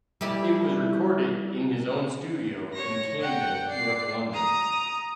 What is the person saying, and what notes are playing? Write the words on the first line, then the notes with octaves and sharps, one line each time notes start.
It was recorded in his own studio in Camden, North London.
G3 E4 G4
C#5 A#6
F#5 G5
D5 C7
A#5 D#6